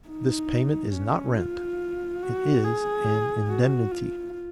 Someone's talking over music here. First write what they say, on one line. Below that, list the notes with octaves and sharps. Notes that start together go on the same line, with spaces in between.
This payment is not rent, it is an indemnity.
D#4
C#4
F4
F#4
G#4
F#4
F4